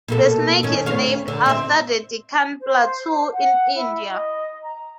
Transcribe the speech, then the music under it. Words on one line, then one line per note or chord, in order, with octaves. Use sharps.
The snake is named after the Deccan plateau in India.
B2 A#3 A4
D#3 C#4
D2 C#5 F5
D3
C4 E5
C5
F#5
E4
D#5
A#5